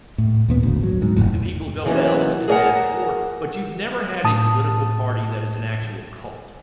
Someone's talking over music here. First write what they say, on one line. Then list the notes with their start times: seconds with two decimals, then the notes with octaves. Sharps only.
and people go, "Well, it's been bad before," but you've never had a political party that is an actual cult
0.18 A2
0.48 D#2 A#2 B3
0.63 G#1 D2
0.83 F#3
1.02 G#2
1.17 F1 A#1 F2 A2
1.85 D#3 E3 F#3 A#3 B3 C#4
2.48 G#4 A#4 D5 F5 F#5 A#5
4.24 A2 A5 D#6